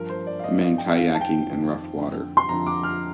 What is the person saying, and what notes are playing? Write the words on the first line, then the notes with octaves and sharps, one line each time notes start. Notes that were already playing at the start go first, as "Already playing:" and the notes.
A man kiyaking in rough water.
Already playing: G2 F3 A#4
C5
D5
F5
G2 F3 D#5
F5
G5
F2 D#3 F5
A5
G5
F2 D#3
F2 D3 F3
C6
F2 D3 F3 A#5
D6
F6